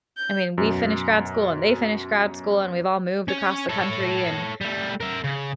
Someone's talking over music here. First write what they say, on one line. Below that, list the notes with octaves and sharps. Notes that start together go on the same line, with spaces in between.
I mean, we finished grad school and they finished grad school, and we've all moved across the country and
G6
F#2 B2
C#4 C#5
A4 C#5
G3 A3
A#4 E5
C#3